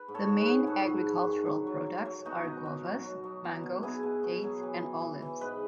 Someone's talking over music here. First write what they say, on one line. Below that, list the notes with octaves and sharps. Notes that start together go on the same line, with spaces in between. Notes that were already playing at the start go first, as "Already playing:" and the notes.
The main agricultural products are guavas, mangos, dates, and olives.
Already playing: B4
G#2
A4 C#5
G#2
G#4 B4
G#2
G#2 F#4 A4
G#2
G#2
D#3
F#3
F#3
F#3
F#3
B2 D#4 F#4
B2
B2
F#3
F#3
F#3
B2
B2
B2 E4 G#4
B2
B2
F#3
E3
E3
E3
E3
G#2 B4 D#5